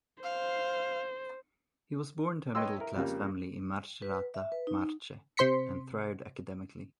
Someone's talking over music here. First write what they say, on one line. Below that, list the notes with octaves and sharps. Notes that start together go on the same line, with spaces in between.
He was born to a middle-class family in Macerata, Marche, and thrived academically.
C5 F5
B4 C#5 D#5 G5 C6 E6
E4 A#4
F2 C#3 G3 A#3
B4
E5
B4
D#4
C3 C5 C6 B6 C#7